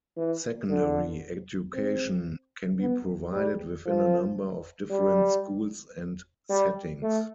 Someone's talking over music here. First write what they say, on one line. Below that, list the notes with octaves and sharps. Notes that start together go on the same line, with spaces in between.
Secondary education can be provided within a number of different schools and settings.
E3
D3
C4
B3
G3
F3
G3
G3
A3